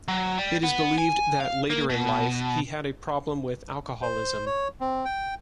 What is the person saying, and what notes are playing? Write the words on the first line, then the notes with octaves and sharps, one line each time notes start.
It is believed that later in life he had a problem with alcoholism.
F#3
G3
B3
G#5
F5
A#3
B2
C5
C#5
C4
G5